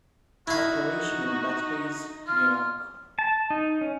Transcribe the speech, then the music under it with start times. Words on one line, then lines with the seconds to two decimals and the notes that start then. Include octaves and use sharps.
Corporation in Bethpage, New York.
0.47 D#4 E4 F#4 F5
2.27 F4 F6
3.19 A5
3.50 D#4
3.81 C#4